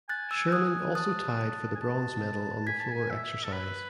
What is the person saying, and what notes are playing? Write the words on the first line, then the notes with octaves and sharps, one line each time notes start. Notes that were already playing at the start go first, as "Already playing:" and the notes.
Schermann also tied for the bronze medal on the floor exercise.
G#5 F#6 A6
E6 G#6
D#6 F#6
A5 D#6 F#6
G#5
A5
G#5 G#6 B6
A5
G#5
E5
A4
B4